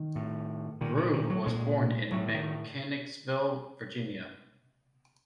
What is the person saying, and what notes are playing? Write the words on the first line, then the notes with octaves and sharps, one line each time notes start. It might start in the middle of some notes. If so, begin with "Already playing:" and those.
Grubb was born in Mechanicsville, Virginia.
Already playing: D#3
A2
A#2 D#3
D3
D#3
F#3
A#2 G#3
A2 F#3
E3
D#3